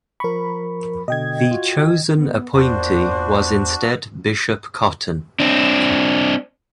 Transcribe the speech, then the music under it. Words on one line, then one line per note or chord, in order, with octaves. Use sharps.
The chosen appointee was instead Bishop Cotton.
F3 A#4 B5 C#6
B2 D3 D#5 G5 G#6
F4 F#4
B3
E2 A#2 D4 F#4 C5 D5
C4 D4